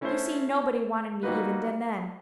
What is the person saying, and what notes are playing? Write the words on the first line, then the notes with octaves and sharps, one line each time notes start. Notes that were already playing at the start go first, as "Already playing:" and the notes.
You see, nobody wanted me even then.
A3 C#4 E4 A4 C5
G3 A#3 D#4 F#4 B4